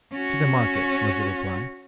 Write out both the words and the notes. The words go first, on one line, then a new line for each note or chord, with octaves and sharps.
'To the market,' was the reply.
C#4 F#4